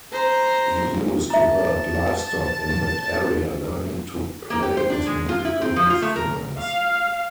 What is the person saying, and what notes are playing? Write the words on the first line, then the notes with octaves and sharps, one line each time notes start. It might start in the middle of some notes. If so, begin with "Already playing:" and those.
He used to herd livestock in that area, learning to play his musical instruments.
C5 A#5
E5 A5 A#5
A#3
G4
C5
D4
G#3
F4
E4
C4
F3
F4
A3
A#4
F5